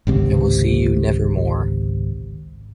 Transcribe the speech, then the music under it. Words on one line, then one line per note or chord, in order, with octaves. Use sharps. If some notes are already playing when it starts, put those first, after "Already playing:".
I will see you never more.
G#1 C#2 C3